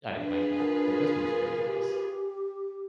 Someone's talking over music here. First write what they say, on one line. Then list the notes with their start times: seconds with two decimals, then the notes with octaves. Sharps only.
I didn't like that. But this one was pretty nice.
0.17 D4 F4 G#4 B4
0.58 A#4
1.66 G4